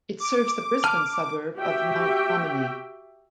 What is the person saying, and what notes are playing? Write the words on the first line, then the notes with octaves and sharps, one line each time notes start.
It serves the Brisbane suburb of Mount Ommaney.
D6
A5 F6
F#4 G4 E5 G5